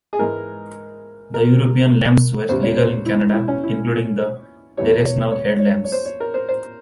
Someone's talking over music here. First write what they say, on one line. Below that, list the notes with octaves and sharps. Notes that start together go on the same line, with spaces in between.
The European lamps were legal in Canada, including the directional headlamps.
G#4
G#2 E3 G#3 A#4
A#4
E2 C#3 G3 C5
C#5
C5
E4
E4
C#4
E4
E2 E3 G3 C#5
C#5
C#5
C#5
C#5
C5
C#5
A#4
C5
C5